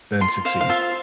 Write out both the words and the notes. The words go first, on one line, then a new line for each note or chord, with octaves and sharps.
then succeed.
F4 C6
C5 F5
F5
F4 E5